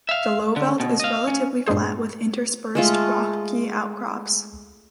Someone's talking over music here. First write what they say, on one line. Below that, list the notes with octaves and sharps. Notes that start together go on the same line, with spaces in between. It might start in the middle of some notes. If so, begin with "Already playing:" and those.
The Lowveld is relatively flat with interspersed rocky outcrops.
E5 F5
D3
B2
D#5 F5
C#4
G2 A#2 G#3 G#4 C5
G#3 A3 F4